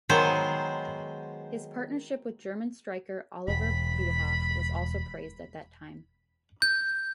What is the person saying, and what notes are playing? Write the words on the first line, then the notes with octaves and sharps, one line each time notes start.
His partnership with German striker Oliver Bierhoff was also praised at that time.
D#3 F#3 G#3 B3 G#4 C5
E1 B5
G6